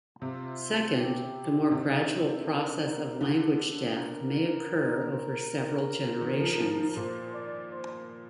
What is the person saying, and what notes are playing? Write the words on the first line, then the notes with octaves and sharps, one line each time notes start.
Second, the more gradual process of language death may occur over several generations.
C3 F4
G4
C3
A#4
D3 A4
A#4
D#3
F3
F3
A#2 C5
D5
C5